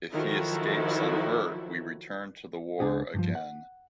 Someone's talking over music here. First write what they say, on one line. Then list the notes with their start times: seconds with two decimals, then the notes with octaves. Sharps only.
If he escapes unhurt, we return to the war again.
0.13 D#3 F3 F#3 E4 F#4 A4
2.79 C#2 E3 D4 G#4 F#5
3.14 G2 D#3 F3
3.35 F#5